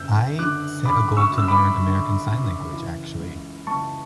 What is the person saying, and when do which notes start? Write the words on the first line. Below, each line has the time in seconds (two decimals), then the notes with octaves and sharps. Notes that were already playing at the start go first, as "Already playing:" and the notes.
I set a goal to learn American Sign Language, actually.
Already playing: F#1 F#2 E6 G6
0.39 D3 D6 F#6
0.85 F#1 B5 D6
1.17 C#6 E6
1.32 F#2
1.38 E6
1.48 B5 D6
1.79 D3
2.26 F#1
2.73 E3
3.20 C#2
3.67 C#2 A5 C#6